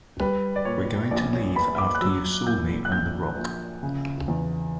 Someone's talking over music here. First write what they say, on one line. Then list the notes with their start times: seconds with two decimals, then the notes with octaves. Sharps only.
You were going to leave after you saw me on the rock.
0.20 G3 B4
0.56 D5
0.65 A#2 C#5
1.11 A#1 D5
1.33 C#5
1.56 B3 B5
1.78 D6
1.95 F#6
2.01 F#3 E6
2.47 A#2 G6
2.85 F#6
2.92 A#1 G6
3.37 A#1
3.83 C#3
4.28 E2